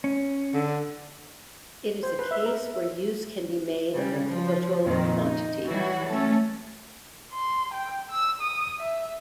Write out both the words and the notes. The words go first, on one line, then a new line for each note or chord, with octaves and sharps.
It is a case where use can be made of a pivotal quantity.
C#4
D3
C5
B4
E5
A#4
E5
C#3 G3
F3
F2 A#2 D#3
D#4
E3 F#3 G3 F#4
A3 C#4 A4
C6
G5
E6
D#6
E5